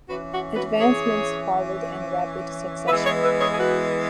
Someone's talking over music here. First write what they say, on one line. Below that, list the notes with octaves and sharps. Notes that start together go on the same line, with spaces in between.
Advancements followed in rapid succession.
E3 C#4 F#4 B4
F#4
F#4 B4
G#4 C#5
E3 G#3 B3 B4 E5
G#4 C#5
B4 E5
G#4 C#5
G#4
F#4 B4